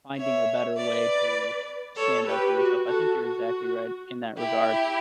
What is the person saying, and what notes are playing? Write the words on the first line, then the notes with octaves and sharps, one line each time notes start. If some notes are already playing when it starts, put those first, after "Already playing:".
finding a better way to stand up for yourself, I think you're exactly right in that regard.
C#5 E5
B4 D5
A4 C#5
G4 B4
F#4
F#4 A4
F#4
E4 G4